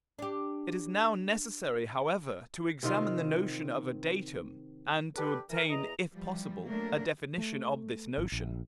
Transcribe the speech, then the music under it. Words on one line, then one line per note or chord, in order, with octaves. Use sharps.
It is now necessary, however, to examine the notion of a "datum," and to obtain, if possible, a definition of this notion.
D4 G4
C3 D#3 F4
D4 G4 A4 B4
E3 A#4
E2 D#5 A#5
E3 F3 G3
F#3 A3 A#3 D4 A#4
A3
G#1
A#1